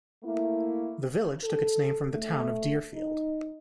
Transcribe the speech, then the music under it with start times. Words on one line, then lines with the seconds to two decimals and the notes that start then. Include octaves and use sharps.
The village took its name from the Town of Deerfield.
0.24 A3 A#3 E4
1.44 A4
2.12 A3
2.93 D#4